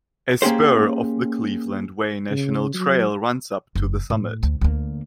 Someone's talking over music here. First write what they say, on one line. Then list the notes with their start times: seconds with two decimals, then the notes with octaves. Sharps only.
A spur of the Cleveland Way National Trail runs up to the summit.
0.42 A#3 C#4 G4 G#4 C5
2.30 C#3
2.73 F#3
3.75 F#1
4.10 A2
4.43 D2
4.61 D2 A#3